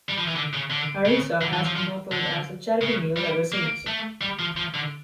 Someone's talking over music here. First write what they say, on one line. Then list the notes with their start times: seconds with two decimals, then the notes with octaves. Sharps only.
"Harissa" has been offered as a charity meal ever since.
0.09 G3
0.18 F3
0.27 E3
0.35 D3
0.53 C#3
0.70 D3
1.05 C#3
1.41 D3
1.53 E3
1.65 F3
1.76 F3
2.12 D3
2.81 C#3
3.16 G3
3.52 A#3
3.87 A3
4.21 G3
4.39 F3
4.57 F3
4.74 D3